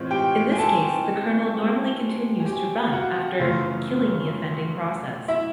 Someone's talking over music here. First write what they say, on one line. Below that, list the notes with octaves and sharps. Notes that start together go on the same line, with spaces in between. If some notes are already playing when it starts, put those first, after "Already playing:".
In this case, the kernel normally continues to run after killing the offending process.
Already playing: A2 E3 G#3 C4 F4
G4 G5
G#5
A4 A5
G#5
G4 G5
F5
F#4 F#5
F#2 C#3 E3 A3 F4 F5
E4 E5